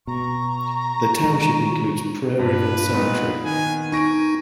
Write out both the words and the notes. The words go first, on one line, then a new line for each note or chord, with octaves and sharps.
The township includes Prairieville Cemetery.
B2 A#5 C#6
D#3 G#3
G2 B4
A#2 B3 D#4
D#3 B3 G#5
D#4 G#5 C#6 A#6 D7